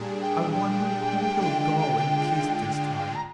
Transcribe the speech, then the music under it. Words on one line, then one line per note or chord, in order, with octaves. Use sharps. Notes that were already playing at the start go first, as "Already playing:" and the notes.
I wonder who he'll go and kiss this time.
Already playing: A#2 G3 D4 G#4
G5
G5
D3 G#3 D4 F4
A#5